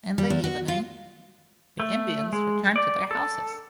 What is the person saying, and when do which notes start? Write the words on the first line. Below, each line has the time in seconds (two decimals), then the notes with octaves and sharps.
In the evening, the Indians return to their houses.
0.18 G3
0.30 E2
0.44 F#4
0.68 F4
1.80 A3
2.33 G#3
2.76 D5
3.11 A4